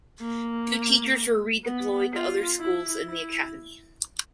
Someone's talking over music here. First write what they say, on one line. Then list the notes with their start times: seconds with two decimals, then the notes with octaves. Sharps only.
Two teachers were redeployed to other schools in the academy.
0.21 A#3
1.65 B3
2.13 F4
2.60 E4
3.08 E4